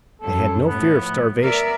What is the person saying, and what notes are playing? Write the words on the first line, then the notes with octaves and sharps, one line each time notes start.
They had no fear of starvation.
F#2 A4
A2 F3 B3
B3 A#4 D5 E5